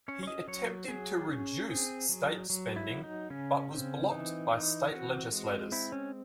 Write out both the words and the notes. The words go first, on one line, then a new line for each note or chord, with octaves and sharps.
He attempted to reduce state spending but was blocked by state legislators.
C#4 C#5
C#5
D#5
F#3 C#5
F#3 G#4
C#4
C4 G#4
F#3
F#3
E4
F#3
D#4
C#3 C#4
C4
E3 D#4
E3 D#4
C4 F#4
G#3
C4 E4
C#4